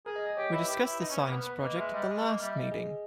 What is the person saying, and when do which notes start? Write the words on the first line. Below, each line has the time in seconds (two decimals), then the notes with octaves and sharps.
We discussed the science project at the last meeting.
0.06 G#4 A#4
0.16 D#5
0.26 D#5
0.37 G4 C#5
0.52 E4 B4
0.68 G4
0.84 E4
1.00 D#4
1.10 C#4
1.21 B3
1.27 A#3
1.31 B3 B4
1.47 B4
1.62 A#3 D#5
1.78 G#3 E5
1.94 G3 D#5
2.09 G#3
2.21 G#3
2.25 A#3
2.40 G3 E5
2.51 E5
2.57 D#5
2.72 G#4